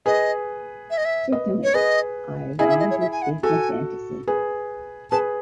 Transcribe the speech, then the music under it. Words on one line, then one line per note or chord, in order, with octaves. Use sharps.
Certainly, I long to escape from fantasy.
G#4 B4 D#5
E5
D#5
E5
B4 D#5
C#5
G#4 B4 D#5
E4 G#4 D#5
E5
D#5
C#5
E5
G#5
F#5
F#4 A4 G#5
G#4 B4
G#4 B4 A5